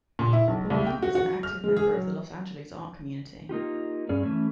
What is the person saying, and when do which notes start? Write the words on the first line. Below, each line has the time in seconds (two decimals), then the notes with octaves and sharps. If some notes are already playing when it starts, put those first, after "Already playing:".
Paulin is an active member of the Los Angeles art community.
0.19 A#2
0.33 E4
0.48 B1
0.70 C2
0.86 G5
1.02 F#4
1.15 F#4
1.43 F6
1.64 G#3
1.77 G#4
1.94 F#3
3.49 A#3 D#4 F4 G4
4.09 G2 C#4 G#4 D5
4.23 E3 A3 C#4